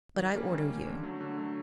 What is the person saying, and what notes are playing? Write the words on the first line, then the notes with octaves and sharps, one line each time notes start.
But I order you.
D#3
G3 A#3 C#4
D#3
G3 A#3 C#4
D3
F#3 A3
D3
F#3 A3